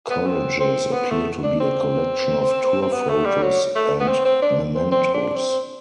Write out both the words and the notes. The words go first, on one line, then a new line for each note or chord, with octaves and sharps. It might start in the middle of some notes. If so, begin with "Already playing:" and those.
Collages appear to be a collection of tour photos and mementos.
B3
C4
C4
B3
A3
D4
C4
C4
B3
A3
G3
F#3
A3
B3
C4
C4
D4
C4
C4
D4
C4